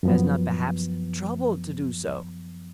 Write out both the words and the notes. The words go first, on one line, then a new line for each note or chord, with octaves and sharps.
Has not perhaps troubled to do so.
F#2 F3 B3